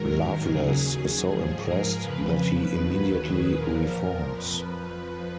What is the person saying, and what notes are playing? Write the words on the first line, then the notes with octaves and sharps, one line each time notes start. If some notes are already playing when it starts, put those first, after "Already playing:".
Loveless is so impressed that he immediately reforms.
Already playing: G#2 D#3 F#3 A#4
D#2 C#3 F#3 G#4
G#2 F3 G#4
A#4
F2 C#3 F3 B4
D#2 D#3 F#3
G#4
A#2 F3 A#4
F2 F3 B4